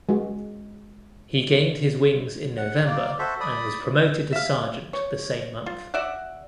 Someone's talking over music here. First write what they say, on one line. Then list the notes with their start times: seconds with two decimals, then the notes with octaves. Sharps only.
He gained his wings in November and was promoted to sergeant the same month.
0.09 G#3 F#4
2.58 F#5
2.86 A#3 D5
3.19 F#4 A4 C5 E5
3.41 D5 B5 D#6
4.33 E5 F5
4.93 C#5
5.66 F4
5.94 F#4 D5 E5 F#5